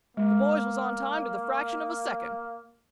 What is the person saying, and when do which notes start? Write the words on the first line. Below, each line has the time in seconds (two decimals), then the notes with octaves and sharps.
The boys was on time to the fraction of a second.
0.17 G#3 A#3